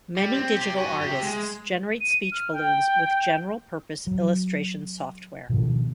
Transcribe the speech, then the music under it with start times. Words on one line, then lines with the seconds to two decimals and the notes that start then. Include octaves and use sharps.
Many digital artists generate speech balloons with general-purpose illustration software.
0.17 G3
0.34 C4
0.56 G4 C5
0.78 F#4 G#5
1.01 G4 E5
1.23 G#3
2.01 D#7
2.32 F6
2.53 G5
4.07 F#3
5.50 B2 D#3 F3